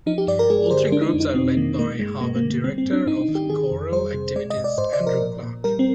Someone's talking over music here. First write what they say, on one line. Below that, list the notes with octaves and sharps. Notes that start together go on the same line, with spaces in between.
All three groups are led by Harvard Director of Choral Activities Andrew Clark.
F3 D#4
G4
G2 D5
A#4
G#3 G#4
D3 C5
G#3 D4
D#4
D4
F2
D#4
F2 C4
D#3 A#3
G#3 A#3
G2 G#3
G2 A#3
A#3
D3
A#3
G3 C4
C4
G#2
D4
G#2 D#4
D#4
D#3
G4
D#3 G#4
F2
G3 C5
C3
G#3 D5
D#5
G#2
D5
G#2 C5
D5
F3
A#4
A#2
A#2
G3 A#4
C4